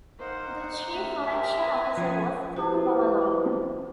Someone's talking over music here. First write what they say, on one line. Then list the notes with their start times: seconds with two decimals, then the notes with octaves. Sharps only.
The Chief Election Officer was Tom Barlow.
0.19 A#3 D#4 A#4 C5 F#5
0.61 F#5
0.93 A3 C#4 E5
1.26 G4 A#4 C5 D#5 A#5
1.62 B4 G#5
1.97 F3 C#4
2.56 F3 E4 F#4 G4 B4